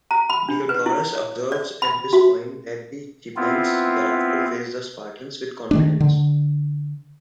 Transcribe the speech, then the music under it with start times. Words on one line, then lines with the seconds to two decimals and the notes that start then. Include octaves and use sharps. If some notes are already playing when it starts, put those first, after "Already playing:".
Diodorus observes at this point that the Thebans thereafter faced the Spartans with confidence.
0.11 A#5
0.30 B5
0.49 D4
0.69 B4
0.86 E4
1.16 C#5
1.52 D5
1.82 B5
2.13 F#4
3.37 B3 C4 E4 F4
5.71 D#3 A3 D4
6.00 D3